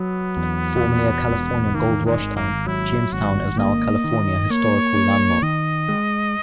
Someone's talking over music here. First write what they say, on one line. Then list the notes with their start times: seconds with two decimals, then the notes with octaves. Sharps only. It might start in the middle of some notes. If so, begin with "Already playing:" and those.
Formerly a California Gold Rush town, Jamestown is now a California Historical Landmark.
Already playing: F#3 B3
0.37 E2
0.83 B2
1.29 E1
1.74 D#3 A#3
2.06 G#3
2.21 G#1
2.36 A#3
2.66 F#3 E4
3.13 G#1 F#4
3.58 A#3 D#5
4.04 D#3
4.50 A#3 C#5
4.96 A#3
5.42 D#3 D#5
5.89 G#3